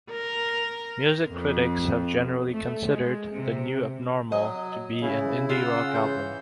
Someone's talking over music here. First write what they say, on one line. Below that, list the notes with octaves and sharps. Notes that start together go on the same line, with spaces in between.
Music critics have generally considered "The New Abnormal" to be an indie rock album.
A#4
F2
A3
G#3
C3
F#3 D#5
C#3 E4
C#3 F4 F#5 C6 E6
E3 G6